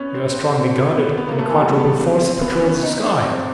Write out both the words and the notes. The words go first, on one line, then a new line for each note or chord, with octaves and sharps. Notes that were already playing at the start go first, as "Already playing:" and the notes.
"You are strongly guarded and a quadruple force patrols the sky."
Already playing: B3 C#4
C4
C4
C4
B3
B3
B3
A#3
A3
E3
G3
B3
C4
C4
B3
B3
C#4
C#4
D#4
D4
C4